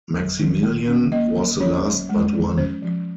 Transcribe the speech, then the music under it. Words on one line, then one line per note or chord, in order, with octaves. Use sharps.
Maximilien was the last but one.
F#3
D#3
A#3
C#4
A#3 D#5
F#3
C#4 C#5
F#3
G#3
F3
C#4 C5
F3